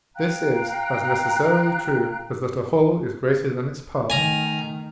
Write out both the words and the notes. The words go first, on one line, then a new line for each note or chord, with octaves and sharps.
This is as necessarily true, as that a whole is greater than its part.
F5 G5 A#5 F#6
D#3 A3 G#5 A#5